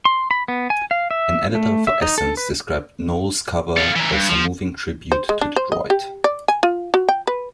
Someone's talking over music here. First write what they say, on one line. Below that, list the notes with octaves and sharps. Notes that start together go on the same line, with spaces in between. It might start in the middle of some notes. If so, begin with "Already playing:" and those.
An editor for "Essence" described Knowles' cover as a "moving tribute to Detroit".
C6
B5
B3
G#5
F5
E5
A3
E5
D#4
A4
B4
A4 F5
E3 A#4
G2
F3
C5
G#3
D4
C5
D#5
G4
D5
G#5
F4
F#4
G5
B4